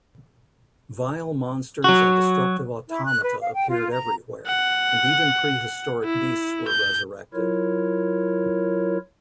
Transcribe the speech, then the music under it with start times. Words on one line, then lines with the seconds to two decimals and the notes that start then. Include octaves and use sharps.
Vile monsters and destructive automata appeared everywhere, and even prehistoric beasts were resurrected.
1.84 F#3 F#4
2.88 E4
3.06 F#6
3.23 B4
3.41 F5
3.54 G5
3.69 F4
3.92 A#5
4.47 F#5
6.04 E4
6.68 G6
7.34 F#3 E4 F4 A#4 C#5